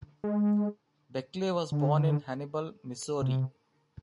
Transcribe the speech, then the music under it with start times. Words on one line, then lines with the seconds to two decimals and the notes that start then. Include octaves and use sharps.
Beckley was born in Hannibal, Missouri.
0.24 G#3
1.72 D3
3.22 C3